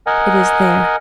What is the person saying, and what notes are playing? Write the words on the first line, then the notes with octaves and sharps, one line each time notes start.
"It is there."
A#4 D#5 F#5 G#5